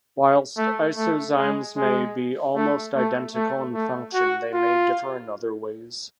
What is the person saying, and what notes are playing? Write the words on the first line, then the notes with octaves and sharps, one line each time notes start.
Whilst isozymes may be almost identical in function, they may differ in other ways.
A3
A3
G#3
G#3
A3
A3
A3
A3
F#4
F4